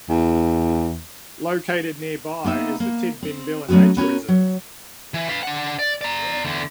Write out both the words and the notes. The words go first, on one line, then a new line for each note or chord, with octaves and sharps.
Located nearby is the Tidbinbilla Nature Reserve.
E2
A#3 B3 D#4 E5
A#3
C4
F#3 A3 B3 C#4 F#4
B3 C#4 F#4 A#4
F#3
E3
B4 F5
D4 F#5
D5
D5 A#5
E2 D3